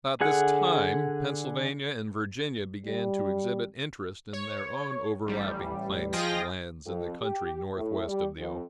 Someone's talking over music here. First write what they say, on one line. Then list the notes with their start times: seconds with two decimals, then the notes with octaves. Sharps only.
About this time, Pennsylvania and Virginia began to exhibit interest in their own overlapping claims to lands in the country northwest of the Ohio.
0.21 D3 G#4 F#5
2.86 G3
4.33 C#5
5.27 A1 G3
6.13 F3 F4 G#4 D#5 G5 A#6
6.86 F2
7.22 G4
7.75 A2
8.07 G3
8.38 F2